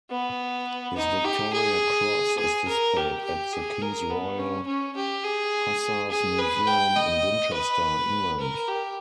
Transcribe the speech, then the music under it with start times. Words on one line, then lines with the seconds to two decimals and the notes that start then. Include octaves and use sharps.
His Victoria Cross is displayed at The King's Royal Hussars Museum in Winchester, England.
0.10 B3
0.96 D#4
1.25 G4
1.53 G#4
2.38 G#4
2.68 A#4
2.96 G4
3.25 G4
3.53 G#4
3.82 A#4
4.10 B3
4.39 C#4
4.67 C#4
4.96 G4
5.24 G#4
6.10 G#4
6.39 B4
6.67 G5
6.96 D#5
7.53 B4
8.40 A#4
8.68 G4